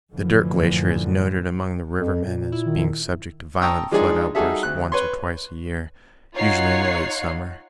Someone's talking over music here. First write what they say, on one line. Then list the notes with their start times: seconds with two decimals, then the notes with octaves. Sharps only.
The Dirt Glacier is noted among the river men as being subject to violent flood outbursts once or twice a year, usually in the late summer.
0.12 F#2 A2 D3 E3 F3
1.97 F2
2.25 A#2
2.52 E4
2.66 D#3
3.61 G5 A5 A#5 C#6 D#6 E6
3.91 F3 G#3 D4 D#4 G#4
4.35 G3 D#4 F#4 G#4 A4 E5
4.63 D2 F#6
4.92 B4 C#5 C6
6.34 D#4 F4 C#5 F#5 C7